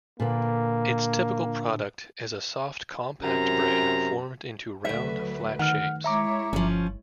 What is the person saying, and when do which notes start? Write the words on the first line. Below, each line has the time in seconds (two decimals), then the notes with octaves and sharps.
Its typical product is a soft compact bread formed into round, flat shapes.
0.20 A#2 D3 A#3 B4
3.22 F#2 C3 A#5
4.85 D2 F#3 A3 B4 E5
5.59 D#3 F#5 F6
6.04 G#3 E4 C#5 E5 A#5 D6
6.53 G1 F3 C#4